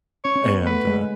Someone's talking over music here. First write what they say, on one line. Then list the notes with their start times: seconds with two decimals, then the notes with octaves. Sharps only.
and, uh
0.24 C#4 C#5
0.36 C#4
0.46 B3
0.63 B3
0.66 A3 B4
0.87 G#3